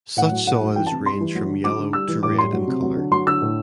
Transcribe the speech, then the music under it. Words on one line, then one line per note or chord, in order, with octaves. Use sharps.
Such soils range from yellow to red in colour.
A2 F#5
F#3
A2 F#5
F#3
E3 G5
A5
C3
G3 C6
E3
F#3
D3
F#3 D6
D3
G3 E6
E3
A2 D6
G3 C6
F#3
C3
F#3
D3
F#3 C6
D3 E6
A2